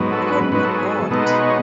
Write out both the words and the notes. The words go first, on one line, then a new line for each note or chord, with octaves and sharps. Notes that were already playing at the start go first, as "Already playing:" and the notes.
"Call me God".
Already playing: G#2 F#3 B3
A4
B4
G#2 F#3 B3 B4
A4
G#4
A4
B2 G#3 B3 D#4 A4
B4
C#5